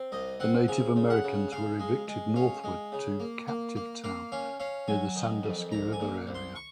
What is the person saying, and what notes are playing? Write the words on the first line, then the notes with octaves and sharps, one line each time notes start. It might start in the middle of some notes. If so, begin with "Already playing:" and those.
The Native Americans were evicted northward to "Captive Town" near the Sandusky River area.
Already playing: C4
C2 D#5
C4 F#5
C#3 G#5
C#3
F#5
C#3
C#3 F5
G#3
G#3
C#4 F5
G#3
C#3
A#3
A#3
A#3
A#3 F5
C#4 F5
C#4 F5
F#3 G#5
D#3
F2
C2 A#5
G#5
A#2
C2
C6
C#6